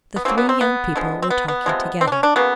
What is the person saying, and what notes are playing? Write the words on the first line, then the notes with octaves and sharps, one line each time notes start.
The three young people were talking together.
B3
C#3 F#3 A#3 C4
B3
C4
B3
D3 F3 G#3
C4
B3
B3
C3 F3 G#3
C4
D4
C#4
D4
C#3 F#3 A#3 B3